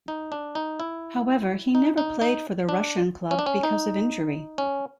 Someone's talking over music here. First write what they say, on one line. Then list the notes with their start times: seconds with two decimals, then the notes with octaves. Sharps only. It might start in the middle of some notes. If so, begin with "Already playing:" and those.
However, he never played for the Russian club because of injury.
0.08 D#4
0.32 D4
0.55 D#4
0.80 E4
1.75 D#4
1.98 D#4
2.21 D#4
2.69 D4
3.31 C#4
3.39 D4
3.46 C#4
3.63 D#4
4.58 C#4